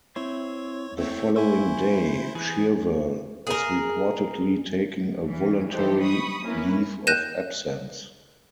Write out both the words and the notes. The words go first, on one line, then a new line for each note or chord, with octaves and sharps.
The following day, Shirvell was reportedly taking a voluntary leave of absence.
C4 E4 C5 C#5
A3 C4 E4 C#5
E4 C5 G#5 C#6 E6
E3 G#4
G#4 A#4
E3 C#4
E3 F#3 D#4 G4 A4 C5
B5 C#6 D#6
A#3 C#4 E4 A#4 B4
F#6 G6 A#6 D#7 E7